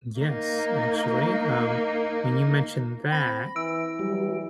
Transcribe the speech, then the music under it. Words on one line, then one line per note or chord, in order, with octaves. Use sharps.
Yes, actually, um, when you mentioned that,
A#3 D#4
C4 B5 A#6
E3 E6 D7
E3 F#3 G3